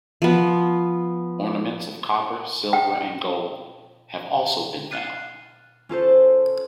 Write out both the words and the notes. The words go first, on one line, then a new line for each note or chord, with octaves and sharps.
Ornaments of copper, silver and gold have also been found.
F3 B3
G5
F6 F#6 A6 C7 C#7 D#7
C#4 F4 A4 C5